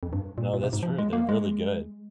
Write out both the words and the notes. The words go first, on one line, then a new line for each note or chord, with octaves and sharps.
No, that's true, they're really good.
F2
G2
A#2
A#2
C3
G#2
F3
G#3
A#3
G#3